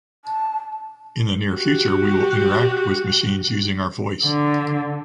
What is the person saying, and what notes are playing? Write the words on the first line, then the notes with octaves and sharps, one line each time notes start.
In the near future we will interact with machines using our voice.
A5
F#4 G4
D3